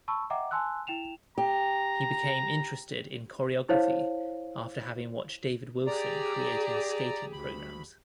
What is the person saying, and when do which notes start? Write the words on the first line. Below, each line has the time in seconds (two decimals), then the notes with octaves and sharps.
He became interested in choreography after having watched David Wilson creating skating programs.
0.08 A5 B5 C#6 E6
0.30 D#5 E5 F#5 G5 A#5 D6
0.51 G#5 A5 C6 E6 F#6
0.87 E4 G5 E7 F7
1.38 G4 A#5
3.69 E4 C5 C#5 F5
5.87 G4 G#4 D5 A#5
7.33 D2 B5